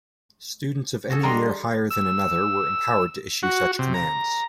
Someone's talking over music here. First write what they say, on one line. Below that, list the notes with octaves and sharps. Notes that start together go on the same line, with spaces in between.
Students of any year higher than another were empowered to issue such commands.
F#4 G#4 A4
G3 D4 D#5 A#5 C6
E6
F#4
C3
A#5